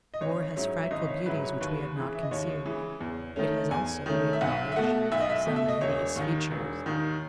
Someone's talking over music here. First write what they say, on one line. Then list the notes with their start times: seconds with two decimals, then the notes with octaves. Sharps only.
War has frightful beauties which we have not concealed; it has also, we acknowledge, some hideous features.
0.14 D#5
0.21 G#1 C#5
0.56 G#2 F#3 C#4 E4
0.83 E5
0.91 G#1 D#5
1.08 C#5
1.26 G#2 F#3 C#4 E4 B4
1.44 C#5
1.61 D#2 B4
1.96 C#3 E3
2.15 E5
2.23 D#5
2.31 D#2 C#5
2.66 C#3 E3
3.00 E2
3.36 D#3 A3 C#4
3.71 E2 G#5
4.06 D#3 A3 C#4
4.33 E5
4.41 B1 F#5
4.72 E5
4.76 B2 A3 F#5
5.12 B1 E5
5.20 D#5
5.30 E5
5.46 B2 A3
5.56 E5
5.68 D#5
5.81 E1 C#5
6.16 D#2 D#3
6.51 E1
6.86 D#2 D#3